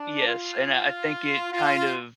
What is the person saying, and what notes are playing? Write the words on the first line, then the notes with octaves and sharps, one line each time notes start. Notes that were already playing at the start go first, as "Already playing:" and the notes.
yes, and I, uh, think it kind of,
Already playing: D4
F4
F4